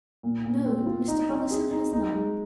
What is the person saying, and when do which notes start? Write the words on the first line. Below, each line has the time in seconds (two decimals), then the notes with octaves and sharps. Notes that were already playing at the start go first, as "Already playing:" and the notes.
"No, Mr. Brotherson has none."
0.23 A#2
0.44 A#2
0.66 C4
0.86 F4
1.08 D#4
1.29 C4
1.51 G#4
1.71 D#4
1.93 D#4
2.13 G#3